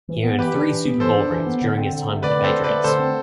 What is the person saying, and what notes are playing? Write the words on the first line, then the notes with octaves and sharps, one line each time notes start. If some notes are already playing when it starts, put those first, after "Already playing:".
He earned three Super Bowl rings during his time with the Patriots.
E3
B3
E3 G4 B4
D4
E3
B3
E3 A4 C5
D4
E3
B3
D3
C4
D3
A3
D3 B4 D5
C4
A4 C5
D3
B4 D5
A3
D3 A4 C5
C4